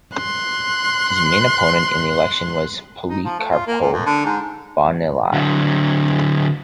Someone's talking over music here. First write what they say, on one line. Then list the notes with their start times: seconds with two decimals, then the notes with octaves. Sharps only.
His main opponent in the election was Policarpo Bonilla.
0.16 C6 F#6
3.09 D#4
3.25 F3
3.39 A3
3.51 F4
3.67 A#3
3.81 A#2
3.93 F2
4.06 D3
4.25 G#2
5.33 D3 F#3